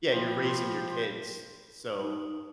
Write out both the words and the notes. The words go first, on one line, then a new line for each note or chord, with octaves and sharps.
Yeah, you're raising your kids. So,
F3 G4 B5 C6
D#4